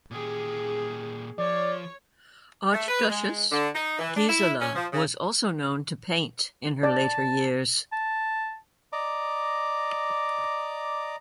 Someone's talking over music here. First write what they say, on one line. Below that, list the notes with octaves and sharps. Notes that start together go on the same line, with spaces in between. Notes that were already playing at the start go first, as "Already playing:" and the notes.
Archduchess Gisela was also known to paint in her later years.
A#2 G4 G#4
F3 C#5 D5
A3
B4
G#3
D3
D#4
E3
D4
E4
C#4
F3
C#3
D5 A5
A5
D5 D#5 A#5 D6